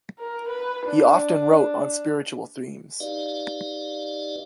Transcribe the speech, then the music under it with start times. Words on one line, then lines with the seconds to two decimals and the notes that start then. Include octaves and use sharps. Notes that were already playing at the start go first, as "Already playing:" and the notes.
He often wrote on spiritual themes.
0.19 A#4
0.49 B4
0.87 D4
3.00 D#4 G4 B4 D5 D#5 F5